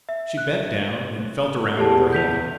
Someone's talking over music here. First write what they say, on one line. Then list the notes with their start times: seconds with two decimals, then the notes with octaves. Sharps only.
She bent down and felt around with her hand.
0.09 E5
0.38 F#6
1.77 E2 G4 A4 A5
2.13 G6 B6 F7